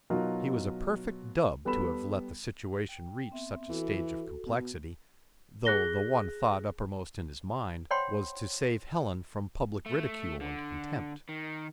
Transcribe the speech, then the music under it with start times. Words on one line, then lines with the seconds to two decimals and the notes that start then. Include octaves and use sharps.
He was a perfect dub to have let the situation reach such a stage of complexity, though the one thought uppermost in his mind was to save Helen from public ridicule and contempt.
0.10 B2 F#3 D#4 F4 F#4 A#4
1.65 G3 B3 A4 B5 E7
2.89 G5
3.31 B3 C4 E5
3.69 E3 F#4 A4
4.46 B2
5.65 G#4 F#6 A#6 G7
7.91 C5 C#5 F#5 G5 B5 C6
9.86 A3
10.41 D3
11.29 D#3